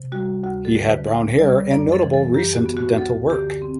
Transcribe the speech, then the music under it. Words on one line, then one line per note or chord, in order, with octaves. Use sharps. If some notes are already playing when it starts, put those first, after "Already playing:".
He had brown hair and notable recent dental work.
Already playing: C3
G3 F#4
D2 F#4
A4
D3
B4
D2 F#5
G3 D5
F#2 D5
A4
E3
A4
F#2 G4
F#4
B3
F#4
D2 A4
D3 G4
C4